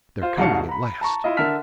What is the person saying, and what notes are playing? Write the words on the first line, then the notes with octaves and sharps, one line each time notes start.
'They're coming at last.'
F4 C5
C2 G#2 F#4 F5 A5 C#7
A#5 B5
A5 A#5 C#6
E4 F4 D#5
D3 A#4 E5 A5 F6 B6